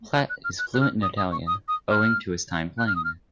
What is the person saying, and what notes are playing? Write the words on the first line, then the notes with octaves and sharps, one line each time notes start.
Platt is fluent in Italian owing to his time playing there.
F#6
F#6
F6
F#6
F#6
F6
D#6
D#6
C#6
D#6
D#6
F6
F#6
F6
D#6
F6